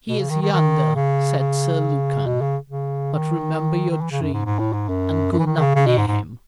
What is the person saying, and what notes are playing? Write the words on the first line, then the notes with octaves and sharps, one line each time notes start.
"He is yonder," said Sir Lucan, "but remember your dream, and go not near him."
B2
C#3
D#3
D#3
D#3
C#3
C#3
B2
C#3
C#3
D#3
D#3
E3
C#3
F#2
G#2
G#2
A2
G#2
F#2
F#2
E3
D#3
D#3
C#3
C#3
B2
G#2
G#2